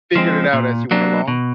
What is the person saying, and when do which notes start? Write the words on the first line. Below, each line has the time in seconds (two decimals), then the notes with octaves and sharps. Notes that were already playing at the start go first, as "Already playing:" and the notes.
figured it out as you went along?
0.15 F3 G#3 C4
0.53 A#2
0.91 F#3 A#3 D4
1.28 B2